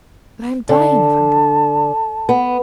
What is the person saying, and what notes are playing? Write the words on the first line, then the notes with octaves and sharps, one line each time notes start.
But I am dying of hunger.
D3 A5
B3